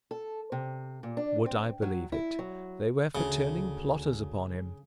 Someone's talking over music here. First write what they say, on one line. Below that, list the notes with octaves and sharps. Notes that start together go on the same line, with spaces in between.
Would I believe it! they were for turning plotters upon him.
A4
C3
A#2
D4
C4
F#3
E4
F#3
D2 C#3